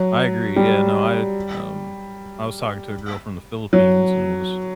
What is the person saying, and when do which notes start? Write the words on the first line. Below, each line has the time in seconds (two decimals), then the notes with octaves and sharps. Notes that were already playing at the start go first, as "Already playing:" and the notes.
I agree, yeah, no, I, um I was talking to a girl from the Philippines and I was
Already playing: F#3
0.56 G3
3.73 F#3